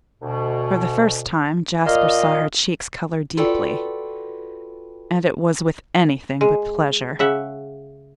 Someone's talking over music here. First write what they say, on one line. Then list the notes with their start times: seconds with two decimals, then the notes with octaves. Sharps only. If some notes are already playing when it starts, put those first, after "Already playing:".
For the first time Jasper saw her cheeks colour deeply, and it was with anything but pleasure.
0.22 D2 B2
1.86 A#2 D#5 F5
3.37 F4 F#4 A4 B4 D5 G5
6.41 G#3
7.19 C#3 E5 F#5